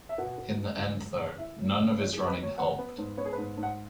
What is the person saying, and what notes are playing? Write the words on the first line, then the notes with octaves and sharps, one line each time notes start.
In the end, though, none of his running helped.
E5
B2 F#5
B2
G#3
C#2
G#3
C#2
E4 E5
F#3
C#3
B4
E4 C#5
G#4
F#3
B4
F#3 C#5
B3 F#5
B3
G#2
B3 C#5
G#4
B4
G#2
G#2
F#5